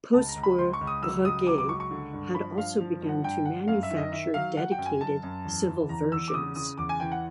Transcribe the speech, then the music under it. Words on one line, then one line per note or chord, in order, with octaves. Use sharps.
Postwar, Breguet had also begun to manufacture dedicated civil versions.
C#2 A5
A#5
C#2
B5
C#2 C6
C#6
C#2
D#6
F#3 E6
C#2 D#6
F#3 D6
D6
C#2 C#6
C#6
D3
G2
F3 B5
G2 F5
F3
G2
F#5
G2 G5
G2 F#5
F#2 F5
E5
D#3
D#5
D#3 E5
F#3 F5
F#3 F#5
G5
F#2
G#5
F#2 A5
F#2
E2
E3
E2 A#5
E2 E6
D6
C#3 D#6
C#3 D#6
E2 D6
G#5
E3 G5
F#5